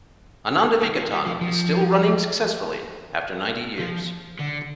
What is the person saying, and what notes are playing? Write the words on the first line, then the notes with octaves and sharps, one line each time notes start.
Ananda Vikatan is still running successfully after ninety years.
D#3
F3
G3
F3
F3
F3
D3